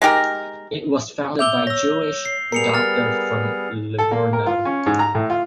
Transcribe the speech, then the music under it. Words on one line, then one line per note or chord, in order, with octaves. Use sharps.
It was founded by Jewish doctors from Livorno.
G#3 D#4 G4 A#4
E5 D6 E6 G6 F7 G7
C#5 E6 A#6
C7
G3 B3 G#4 A#4 C7 C#7 F7
F6 A6
A4
A#3
A#4
F4
C#4
G#2
A#5
A2
F4